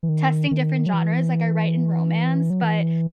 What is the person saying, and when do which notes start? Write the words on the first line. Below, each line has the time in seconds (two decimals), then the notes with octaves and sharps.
testing different genres, like, I write in romance, but
0.03 E3
0.09 D#3
0.51 D#3
0.86 F#3
0.94 E3
2.50 F#3
2.62 E3